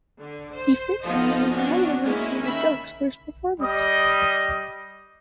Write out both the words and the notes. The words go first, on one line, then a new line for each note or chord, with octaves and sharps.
He frequently will not even write down the jokes for his performances.
D3
C5
F3 B3 D#4 F4 A4 D#5
B3 C#4 D4 F#4
G#3 A#3 C#4 E4
D#3 E5 B5
G3 D#5